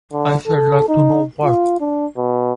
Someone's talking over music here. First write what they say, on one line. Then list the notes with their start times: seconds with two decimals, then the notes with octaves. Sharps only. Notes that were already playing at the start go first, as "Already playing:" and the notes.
I should like to know what?
0.12 D3
0.47 A4
0.89 D#4
1.44 F4
1.81 D4
2.17 B2